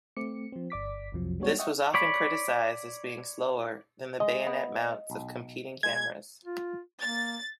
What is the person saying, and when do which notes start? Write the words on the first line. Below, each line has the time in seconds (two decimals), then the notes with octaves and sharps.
This was often criticized as being slower than the bayonet mounts of competing cameras.
0.17 A3 C4 D6 C#7
0.52 F3 C4
0.70 G1 D5 D6 B6
1.12 B1 F2 C3 F3 F#3
1.40 G3 G#3 B3 D4 F#4 C#5
1.59 D#5 E5 F#5 G5 C#6 D#6
1.94 C#5 D5 B5
4.20 G#3 D#5
4.47 B3
5.10 B1
5.83 G#3 G#6
6.45 F4
7.01 A#3 A6